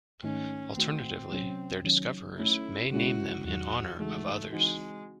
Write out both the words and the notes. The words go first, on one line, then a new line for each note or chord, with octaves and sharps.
Alternatively, their discoverers may name them in honor of others.
G#2 D#3 A3 C#4 D#4
D#3 A3 C4 D#4 F#4
C3 F#3 C#4
D#3 F#3 C#4
D#3 A3 C#4 E4
C#3 G#3 C#4 E4 F#4
E2 D#3 F#3 F#4
C#3 E3 G#3 A3 D#4 F#4
E3 G#3 C4 D#4 F#4